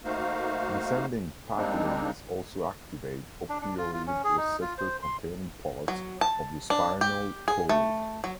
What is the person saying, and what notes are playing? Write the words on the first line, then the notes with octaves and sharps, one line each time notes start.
Descending pathways also activate opioid receptor-containing parts of the spinal cord.
A3 A#3 D#4 F#4 C5 F5
G3 G#3 A#3 C4 D4 D#4
D4
D4
F4
F4
C#4
G#4
D#4
F4
C5
C6
F#3
A5
D4
G4
G#4
A3
F#3